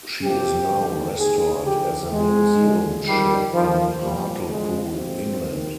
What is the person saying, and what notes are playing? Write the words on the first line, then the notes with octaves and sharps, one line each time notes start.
She is now restored as a museum ship in Hartlepool, England.
F2 C3 F3 G4
F2 D3 F3
D#2 D#3 G#4
D2 D3 F3 G4
F2 C3 F3 G#3
D2 D3 F3
F2 D#3 G3
F2 D#3 F3
C2 A#2 F3 G3
F2 D3 F3 G#3
A#1 G#2 F3 C4
D#2 D#3